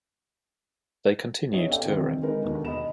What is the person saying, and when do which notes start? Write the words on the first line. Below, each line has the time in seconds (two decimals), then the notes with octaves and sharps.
They continued touring.
1.51 B3 C#4 D#4 C#5 D#5 E5
1.69 A4 D5 E5 F5 G5
1.86 D#3 C4 C5
2.21 D3 G#3 D#4 A#4 B4
2.44 D#2 B2 D3
2.65 D#5 B5 E7